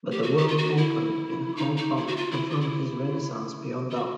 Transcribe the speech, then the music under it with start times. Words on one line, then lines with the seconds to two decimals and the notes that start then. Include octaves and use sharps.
But the World Open in Hong Kong confirmed his renaissance beyond doubt.
0.12 G4
0.23 F#4
0.37 G4
0.48 F4
0.58 F#4
0.77 E4
1.57 D#4
1.77 D#4
1.97 E4
2.07 F#4
2.17 F4
2.32 E4
2.50 F4
2.61 E4
3.91 F4
3.95 F#4